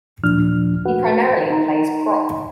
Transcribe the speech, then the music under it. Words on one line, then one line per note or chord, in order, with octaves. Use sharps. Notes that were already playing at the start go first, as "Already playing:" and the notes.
He primarily plays prop.
D#2 A#2 F3 D4 F6
F#4 B4 F#5
D#4 A#5